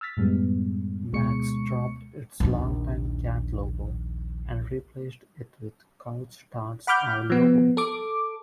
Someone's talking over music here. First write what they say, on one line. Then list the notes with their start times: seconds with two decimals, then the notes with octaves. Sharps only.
Mac's dropped its longtime cat logo, and replaced it with Couche-Tard's owl logo.
0.01 E6 F6 A6 B6
0.17 F#2 A2 G3 G#3 B3
1.13 D2 B2 G#3 C#6 C#7
2.40 A#1 D#2
6.87 F#5 B5 D6 F6 G6
7.30 F3 B3
7.77 A4 D6